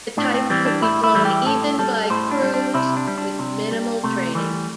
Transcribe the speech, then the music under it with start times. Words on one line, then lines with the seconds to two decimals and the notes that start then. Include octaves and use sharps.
The type could be flown even by crews with minimal training.
0.17 A2 D4
0.34 C4
0.50 E3 G3 C4
0.66 D4
0.82 A2 E4
1.04 E4
1.15 E3 G3
1.25 G4
1.46 A2 A4
1.79 G3 A4
2.10 A2 C5
2.31 D4
2.42 G3
2.54 D4
2.74 C3 E4
2.97 D4
3.08 G3
3.18 D4
3.39 C3
3.71 G3
4.04 C3 A3
4.35 E3 G3